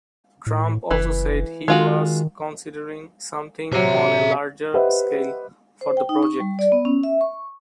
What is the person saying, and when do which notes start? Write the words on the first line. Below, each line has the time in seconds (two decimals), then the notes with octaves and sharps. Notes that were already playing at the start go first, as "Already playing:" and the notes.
Trump also said he was considering "something on a larger scale" for the project.
0.46 A2
0.91 F#1 E3 B4
1.68 D#3 G#3 F4 F#4
3.72 C3 F#3 E5 A#5
4.74 G4 B4 C5 D#5 E5 F#5
5.81 C5
5.97 G5
6.09 D#4
6.23 C#6
6.40 G3
6.59 D5
6.72 B3
6.85 C#4
7.03 E5
7.21 C#6